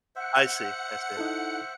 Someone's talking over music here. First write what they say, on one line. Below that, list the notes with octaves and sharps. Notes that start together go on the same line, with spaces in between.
I see, I see.
C5 E5 F#5 C#7
D#4 E4 A4